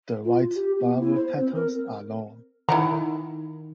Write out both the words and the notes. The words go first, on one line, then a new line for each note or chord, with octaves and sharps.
The white flower petals are long.
F4
G4
B3
E4
C5
C4
A#4
D#3 E4 F#5 A#5